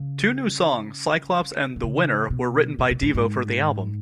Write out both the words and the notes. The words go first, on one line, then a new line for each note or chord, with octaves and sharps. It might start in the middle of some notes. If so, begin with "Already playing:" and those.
Two new songs, "Cyclops" and "The Winner", were written by Devo for the album.
Already playing: C#3
D3
C#3
B2
A#2
B2
A2
G#2